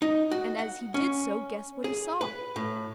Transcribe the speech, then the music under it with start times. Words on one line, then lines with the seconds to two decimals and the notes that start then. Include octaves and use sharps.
And as he did so guess what he saw?
0.02 D#4
0.31 F#4
0.59 F#5
0.94 C#4
1.84 G#4
2.21 B4
2.56 A2